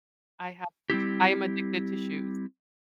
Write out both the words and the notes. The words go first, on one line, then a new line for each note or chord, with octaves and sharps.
I have sh I am addicted to shoes.
G3 C4 E4 G4